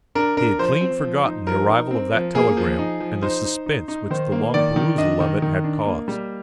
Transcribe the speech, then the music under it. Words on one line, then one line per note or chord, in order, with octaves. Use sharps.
He had clean forgotten the arrival of that telegram and the suspense which the long perusal of it had caused.
D4 A#4
D4 A#4
F3 C5
C4
F3
D#4
F3 A#4
D#4
C4
F3
A#3 G#4
F3
D#4
F3
D#4 C5
D#4
D#4
D#4
D#3 C5
A#3
D#3 D5
D#3
D4 D#5
D#3
D#3
D4
A#3
G3